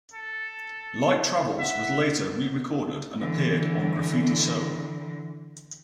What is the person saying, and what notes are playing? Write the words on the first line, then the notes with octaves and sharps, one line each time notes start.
"Light Travels" was later rerecorded and appeared on Graffiti Soul.
A4
E5 F#5
D3 E3